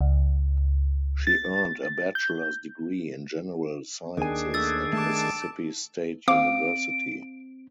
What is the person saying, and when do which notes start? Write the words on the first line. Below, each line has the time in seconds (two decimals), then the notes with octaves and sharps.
She earned a bachelor's degree in general sciences at Mississippi State University.
0.01 C#2
1.27 A6
2.15 G6
4.17 D#2 D#3 D4 G#4 G#5
4.54 A3 E6 A6
4.93 A3 A5 D6
6.28 C4 F5 D6 D7